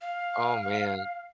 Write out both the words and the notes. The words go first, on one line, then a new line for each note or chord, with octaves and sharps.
Oh, man.
F5